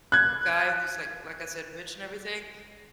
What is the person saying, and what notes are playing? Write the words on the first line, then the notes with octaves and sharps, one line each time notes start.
guy who's like like, I said, rich and everything.
F#6 G#6